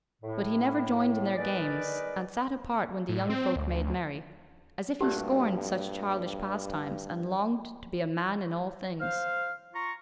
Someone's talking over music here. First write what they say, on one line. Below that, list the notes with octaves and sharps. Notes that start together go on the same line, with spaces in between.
But he never joined in their games, and sat apart when the young folk made merry, as if he scorned such childish pastimes and longed to be a man in all things.
A2
D#4 G#4 A#4 B4 D5
A2
C4
D2
G2 A#2 A3 F#4 G4
C5 F5 F6
F4 A#5 C#6